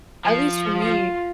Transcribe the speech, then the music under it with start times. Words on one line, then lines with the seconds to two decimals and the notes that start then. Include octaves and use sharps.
at least for me,
0.25 F3
0.78 F4